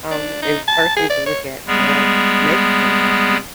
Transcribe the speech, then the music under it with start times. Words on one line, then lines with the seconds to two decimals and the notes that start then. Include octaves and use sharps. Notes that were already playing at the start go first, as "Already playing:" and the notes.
Um, they first need to look at what makes them happy
0.11 D4
0.42 D#4
0.68 A5
0.96 G#4
1.09 D5
1.26 C#5
1.67 G3 G#3 B3 G#4